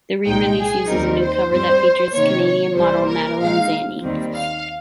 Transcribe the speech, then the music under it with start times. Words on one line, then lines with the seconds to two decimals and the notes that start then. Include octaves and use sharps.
The re-release uses a new cover that features Canadian model Madaline Zanni.
0.25 C2 A#2 G#3 D#4 G5
0.56 G#4
0.88 D#2 D#3 G3 C4 D#4 A#4
1.20 C5
1.51 G2 G3 C4 C5
2.13 C3 D#3 A#3 C#5
2.45 C#5
2.76 C2 C3 G3 A#3 C5
3.08 A#4
3.39 A#2 G#3 D#4 F5
4.02 D#2 D#3 G3 C4
4.33 F5